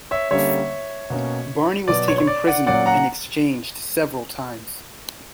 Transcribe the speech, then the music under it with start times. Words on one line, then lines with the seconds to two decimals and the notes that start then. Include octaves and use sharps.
Barney was taken prisoner and exchanged several times.
0.11 C#5 E5
0.31 D3 G3 A#3 C#4 C#5 E5
1.10 B2 A#3 C#4
1.88 B2 F#3 B3 D5
2.08 C#5
2.18 C#5
2.27 D5
2.47 D5 F#5
2.66 A#2 F#3 A#3 C#4 D5 F#5
2.86 F#5 A#5